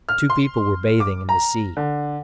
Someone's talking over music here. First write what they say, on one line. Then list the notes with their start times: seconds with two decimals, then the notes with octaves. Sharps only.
Two people were bathing in the sea.
0.09 F6
0.30 C6
1.00 D6
1.29 A#5
1.77 D3